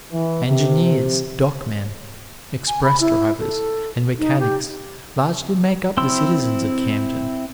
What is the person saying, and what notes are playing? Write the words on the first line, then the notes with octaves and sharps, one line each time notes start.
Engineers, dockmen, express-drivers and mechanics largely make up the citizens of Camden.
E3
C3
G#5
B5
E4
A4
D#4
G4
C4 E4 C6 E6